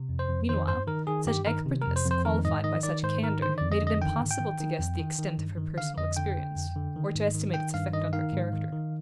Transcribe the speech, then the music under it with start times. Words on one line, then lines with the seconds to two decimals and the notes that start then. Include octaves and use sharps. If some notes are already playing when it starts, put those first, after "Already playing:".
Meanwhile, such expertness qualified by such candour made it impossible to guess the extent of her personal experience, or to estimate its effect on her character.
Already playing: C3
0.09 F2
0.19 C5
0.29 F2
0.49 D#3 C5
0.68 G2 C5
0.87 D#3 A#4
1.07 D#3 G#4
1.26 G2 G4
1.46 D#3 A#4
1.66 C3
1.81 F2 A#4
1.96 C5
2.05 F2
2.11 C5
2.25 D#3 A#4
2.45 G#2 D#5
2.64 D#3 D#5
2.83 D#3 D5
3.04 G#2 C5
3.23 D#3 A#4
3.42 D3 C5
3.58 F2 D5
3.71 D#5
3.82 D3
3.87 D#5
4.02 D#3 G5
4.21 G#2
4.31 G5
4.40 D#3
4.60 D#3
4.79 F2
5.00 D#3
5.18 D#3
5.38 G2
5.58 D#3
5.78 D3 F5
5.97 F2 D#5
6.16 D3 G5
6.36 D3
6.56 F2
6.76 D3
6.96 D#3
7.15 G#2
7.35 D#3
7.54 D#3 G5
7.74 G2 F5
7.93 D#3 D#5
8.13 D#3 F5
8.33 G#2
8.53 D#3
8.72 D#3